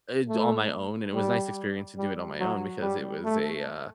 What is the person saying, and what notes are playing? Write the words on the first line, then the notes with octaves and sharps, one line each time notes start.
uh, j on my own, and it was a nice experience to do it on my own, because it was a, uh
A3
G3
G3
F#3
G3
A3